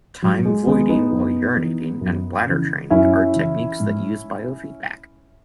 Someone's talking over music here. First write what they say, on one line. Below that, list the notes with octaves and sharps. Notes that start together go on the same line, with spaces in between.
Time voiding while urinating and bladder training are techniques that use biofeedback.
G#2 F#3
G#3
D#3 G#3 B3
B3 D#4
F#2
E3
F#2
C#3 E3
F#2 C#4 E4
C#3 E3
G#2